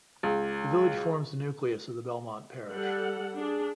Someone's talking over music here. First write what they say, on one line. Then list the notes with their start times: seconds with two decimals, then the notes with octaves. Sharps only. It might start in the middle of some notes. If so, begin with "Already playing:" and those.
The village forms the nucleus of the Belmont parish.
0.23 C#2
2.69 G3 A4 F#5
3.36 D4 G#4